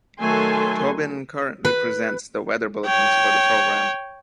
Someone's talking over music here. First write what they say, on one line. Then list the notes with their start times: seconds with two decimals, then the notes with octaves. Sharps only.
Tobin currently presents the weather bulletins for the programme.
0.20 D#3 F#3 A3 A4 G#5 C6
1.65 B4
2.86 C#5 G5